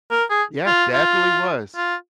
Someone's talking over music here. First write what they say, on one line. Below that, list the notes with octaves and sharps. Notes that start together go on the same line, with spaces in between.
Yeah, it definitely was.
A#4
G#4
F4
F4
F4